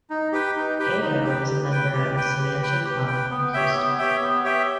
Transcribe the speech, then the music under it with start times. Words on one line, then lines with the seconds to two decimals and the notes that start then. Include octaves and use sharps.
Gado is a member of the Samantia Club in Houston.
0.10 D#4
0.33 G4 B4 G5
0.56 D#4
0.79 G4 B4 G5
1.01 D#4
1.24 G4 B4 G5
1.48 G4
1.71 B4 G5
1.93 G4
2.16 B4 G5
2.39 G4
2.62 B4 G5
2.85 G4
3.08 B4 G5
3.30 B3
3.53 G4 C#5 E5 G5
3.75 B3
3.98 G4 C#5 E5 G5
4.21 B3
4.44 G4 C#5 E5 G5